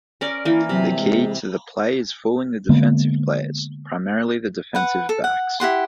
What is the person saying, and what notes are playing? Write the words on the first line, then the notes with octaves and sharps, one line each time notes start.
The key to the play is fooling the defensive players, primarily the defensive backs.
C#4 A#4 D5
E3 A#3 E4
C3 F#3
G#3
D3 G#3 A#3 B3
B4 F#5
A4
F#5
E4 G4 F#5 C6